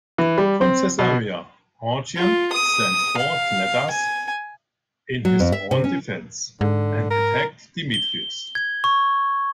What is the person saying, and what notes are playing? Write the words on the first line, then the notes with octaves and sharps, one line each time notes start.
From Caesarea Origen sent forth letters in his own defence, and attacked Demetrius.
E3
G3
C4
B2
F4
D#6
F5
G#5
F#3
F2
E5
C3
C#4
G#2 D3
A#4
G7
G#6
C#6